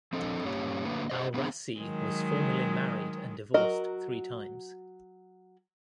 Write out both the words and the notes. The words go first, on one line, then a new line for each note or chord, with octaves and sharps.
El Rassi was formerly married and divorced three times.
F3 C4 D4 A4 D#5
G2 A#3 C#4 G4 C#5
D3 F#3 A3 A#3 B4
G4 C5 D#5
B3 C4 D4 G#4
D#3 F#3 G#3
F#3 F#4 A#4 D#5